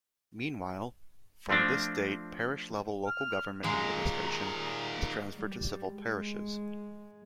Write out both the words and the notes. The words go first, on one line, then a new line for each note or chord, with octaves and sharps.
Meanwhile, from this date parish-level local government administration was transferred to civil parishes.
F3 A3 C4 D4
F6
A#2 D#3 G#3 A#5
G3
G#3